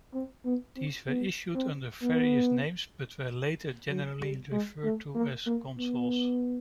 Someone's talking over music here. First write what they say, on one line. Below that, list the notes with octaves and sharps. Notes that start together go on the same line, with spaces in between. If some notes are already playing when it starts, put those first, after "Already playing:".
These were issued under various names but were later generally referred to as Consols.
C4
B3
C4
B3
C4
B3
F#3
G3
G#3
A3
A#3
A#3
B3